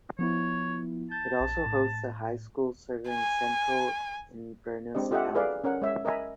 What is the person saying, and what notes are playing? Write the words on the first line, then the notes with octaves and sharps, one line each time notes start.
It also hosts a high school serving central Inverness County.
F3 B3 E4 C#5
A5 G6
A#1
A2
G#5
G#3 C4 D4 G4 D#5
F4 G4 A4 D#5 E5 F#5
G#4 A4 B4 D5 F5
C#4 A#4 C#5 F#5
G#3 C#5 E5
A#4 D#5 E5 G#5 A#5 B5